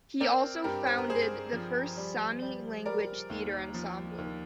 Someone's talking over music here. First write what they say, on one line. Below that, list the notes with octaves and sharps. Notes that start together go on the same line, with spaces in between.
He also founded the first Sami language theatre ensemble.
C4 A#4 D5
G2 G4 A#4
C5
A#4
G2 G#4 C5
F3
G3
G3
G3 A#4 D5
D#2
F3
D#2